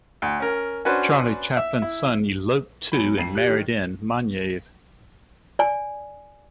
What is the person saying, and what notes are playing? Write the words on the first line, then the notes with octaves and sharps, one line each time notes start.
Charlie Chaplin's son eloped to and married in Moniaive.
D2
C#4 A#4
C#4 D4 F#4 B4 C5
E5
E4
E2 F#3 B5
F2 C7
G4 F#6
D#3
D5 G#5